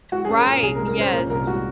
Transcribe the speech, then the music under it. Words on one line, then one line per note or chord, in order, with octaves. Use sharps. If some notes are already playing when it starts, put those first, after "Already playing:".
Right. Yes.
G#3 F#4
G#4
C#4
A#4
A#2
C2 G#4
A#4
G#3
A#4
C#4 C5
A#2 A#4
C2 A#4
G#3 F#4